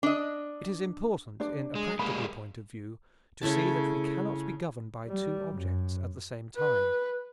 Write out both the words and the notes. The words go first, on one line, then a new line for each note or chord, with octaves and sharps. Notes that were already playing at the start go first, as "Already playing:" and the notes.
It is important, in a practical point of view, to see that we cannot be governed by two objects at the same time.
D4 D#5
D4 D5
G#3
G3 G#3 A#3 B5
C#3 A3 E4 A5
G3
F#2
B4